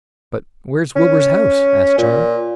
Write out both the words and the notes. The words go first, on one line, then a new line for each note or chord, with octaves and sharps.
"But where's Wilbur's house?" asked John.
C#4
A#2